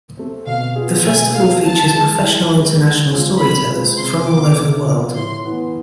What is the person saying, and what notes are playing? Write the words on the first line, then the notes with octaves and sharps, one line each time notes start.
The festival features professional international storytellers from all over the world.
A3 C4
B2 F5
B3 F4 G#4
B2 G#5
B3 F4 G#4 F5
E3 A5
G#3 D4
E3
G#3 D4
D3
G#3 C4 F4
D3 B5
G#3 C4 F4
C3 C6
F3 B3 D6
C3
F3 B3
A2 C6
E3 B3